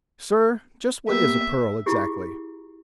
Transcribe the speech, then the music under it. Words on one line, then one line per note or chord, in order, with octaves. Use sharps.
"Sir, just what is a pearl exactly?"
A#3 B3 G4 E5
E4 F4 G4 G#4